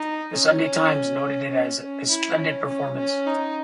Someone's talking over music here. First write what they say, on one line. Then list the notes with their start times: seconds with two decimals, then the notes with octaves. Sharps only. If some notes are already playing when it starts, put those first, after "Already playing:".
"The Sunday Times" noted it as "a splendid performance".
Already playing: D#4
0.33 C#4
1.50 C#4
1.79 C#4
2.09 E4
2.38 C#4
2.67 C#4
2.97 C#4
3.27 D#4